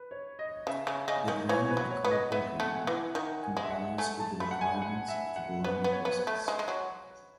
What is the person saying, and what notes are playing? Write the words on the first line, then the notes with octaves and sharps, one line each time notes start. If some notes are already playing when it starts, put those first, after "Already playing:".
The Grande Ecole programme complies with the requirements of the Bologna Process.
Already playing: B4
C#5
D#5
C#3 E5
C#3
C#3 D#5
D#3
E3 C#5
B4
F#3
C#5
B3
D#5
B3 E5
A3 F#5
G#5
F#5
E3 E5
D#3 F#5
G#5
G#3
E5
F#5
A3 G#5
A5
A3 B5
F#5
G#5
F#5
E5
F#5
B3 B4
B3
C#5
B3
B4
A3
G#3
G#3
F#3